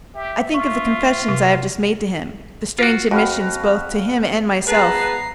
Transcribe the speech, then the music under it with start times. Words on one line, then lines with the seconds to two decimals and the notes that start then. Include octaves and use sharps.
I think of the confessions I have just made to him, the strange admissions both to him and myself.
0.15 G4 E5
0.54 F4 C#6
1.29 C3
2.79 F4 F#4
3.11 F2 F#4 B4 F5
4.67 B3 G#4 B4 A5 A#5 C7